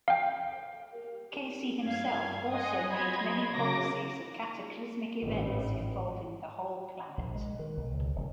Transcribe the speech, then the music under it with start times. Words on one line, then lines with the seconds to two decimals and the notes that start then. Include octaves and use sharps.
Cayce himself also made many prophecies of cataclysmic events involving the whole planet.
0.08 F5 G5
1.85 G2 F5 G#6
2.51 D#5 F#5 G#5 C6 D#6
2.92 F#3 C4 D#5 B5 C6 G#6
3.54 F#2 C#3 A#3 F#4 D6 A#6
5.22 A1 G#2
7.17 A#1
7.35 G#3
7.59 D#3
7.77 B1
7.94 C#2
8.15 D#1